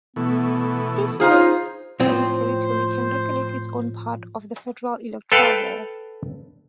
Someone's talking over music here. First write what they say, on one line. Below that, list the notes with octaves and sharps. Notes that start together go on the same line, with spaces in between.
Each state and territory can regulate its own part of the federal electoral roll.
B2 E3 A3 B3
D#4 F4 G#4 C5
A2 F3 C4 C5
A4 B4 F5 G5